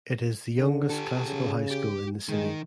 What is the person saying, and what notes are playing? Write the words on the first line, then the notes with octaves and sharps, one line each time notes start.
It is the youngest classical high school in the city.
D3
G4 A4
C#3
G4
D#3 G#3